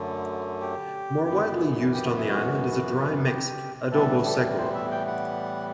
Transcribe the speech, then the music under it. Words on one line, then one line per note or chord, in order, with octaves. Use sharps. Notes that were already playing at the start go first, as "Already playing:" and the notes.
More widely used on the island is a dry mix, "adobo seco".
Already playing: F#2 D3 A3
G4
F#2 E3 B3
G4
F#4
E4
F#4
G4
A2 E3 G3 B3 A4
A4
C5
E5
G5
F#5